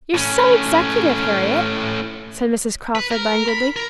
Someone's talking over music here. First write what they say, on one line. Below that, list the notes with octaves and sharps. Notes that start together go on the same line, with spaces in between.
"You're so executive, Harriet!" said Mrs. Crawford, languidly.
A2 C#4
B4
A#4
B5
A#4